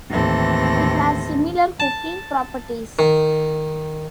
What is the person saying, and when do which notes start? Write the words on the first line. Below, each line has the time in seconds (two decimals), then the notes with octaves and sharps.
It has similar cooking properties.
0.11 D#2 A2 E3 C4 A4 A#6
1.80 A5
2.99 D#3